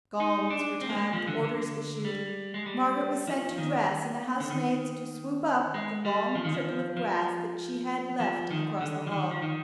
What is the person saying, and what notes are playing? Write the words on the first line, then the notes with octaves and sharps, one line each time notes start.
Gongs were tapped, orders issued, Margaret was sent to dress, and the housemaid to sweep up the long trickle of grass that she had left across the hall.
D#4
D4
C4
A#3
G#3
F3
D3
D3
G3
G#3
G3
F3
D#3
D3
D#3
G#3
G3
F3
D#3
F3
F3
F3
D#3
D3
F3
D#3
F3
D#3